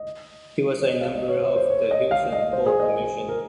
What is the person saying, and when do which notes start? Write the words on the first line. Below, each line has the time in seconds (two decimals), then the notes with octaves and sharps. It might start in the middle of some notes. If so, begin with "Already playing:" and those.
He was a member of the Houston Port Commission.
Already playing: D#5
0.80 C#5
0.87 D#5
1.01 F5
1.15 D#5
1.28 C#5
1.43 C#5
1.56 C5
1.70 C#5
1.91 D#5
2.11 F5
2.32 D#5
2.53 C5
2.66 G#4
2.80 D#5
3.29 A#4